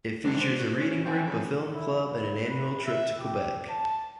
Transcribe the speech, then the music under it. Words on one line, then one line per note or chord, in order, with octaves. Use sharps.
It features a reading group, a film club, and an annual trip to Quebec.
D#3 G#3 C4 D4
C5
F#4
C#4
F2 C4 F4 G#5
C#3
E4
B4
B4
E5
G4
A5